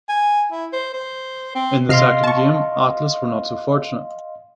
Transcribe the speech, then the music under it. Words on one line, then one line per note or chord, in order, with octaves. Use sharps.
In the second game Atlas were not so fortunate.
G#5
E4
C5
C5
C4
C3 D#5 F5 C6 F6 C7
A5 C#6